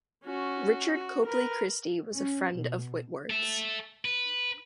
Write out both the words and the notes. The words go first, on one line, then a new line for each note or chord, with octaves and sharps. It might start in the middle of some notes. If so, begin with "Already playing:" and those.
Richard Copley Christie was a friend of Whitworth's.
C#4 F#4
F#4
A#4 B4
C#4
B2
A4 E5
B4